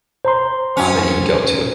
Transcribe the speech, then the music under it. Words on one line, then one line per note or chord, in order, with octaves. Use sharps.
uh, that you would go to?
C5 A#5 C6
C#4